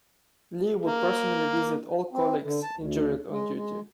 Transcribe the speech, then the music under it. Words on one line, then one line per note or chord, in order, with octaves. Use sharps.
Lee would personally visit all colleagues injured on duty.
A#3
C4
D3
A5
D2
G#3
G#3